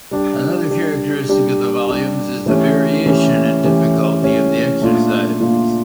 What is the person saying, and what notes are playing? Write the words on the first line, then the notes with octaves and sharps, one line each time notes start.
Another characteristic of the volumes is the variation in the difficulty of the exercises.
G3 D4 G4
G3 D4 G4
G3 D4 G4
G3 D4 G4
E3 A3 C#4 G4
E3 A3 C#4 G4
E3 A3 C#4 G4
E3 A3 C#4 G4
A#2 A3 D4 F4
A#2 A3 D4 F4